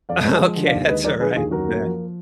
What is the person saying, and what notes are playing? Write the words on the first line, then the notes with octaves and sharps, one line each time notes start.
Okay, that's alright. Yeah.
F2 D5 F5
G#3 B4 D#5
F3
D3
D5 F5
D#2
G#3 B4 D#5
F3 A#4 D5
D3 G#4 B4
D#2 F4 G#4
F#2 F#4 A#4
A#3
F3